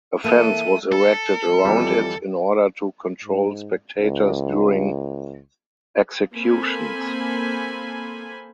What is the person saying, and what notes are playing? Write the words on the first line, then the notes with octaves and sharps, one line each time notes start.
A fence was erected around it in order to control spectators during executions.
E3 A#3 A4 E5 D#7
A4
F2 E3 G3
G#2
C#2
A#3 C4 A4 C5 G#5 B5